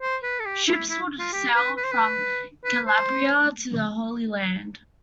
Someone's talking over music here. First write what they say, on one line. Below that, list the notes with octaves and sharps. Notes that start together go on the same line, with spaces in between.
Ships would sail from Calabria to the Holy Land.
C5
B4
A4
G4
E4
E4
F4
G4
B4
B4
C5
B4
B4
C5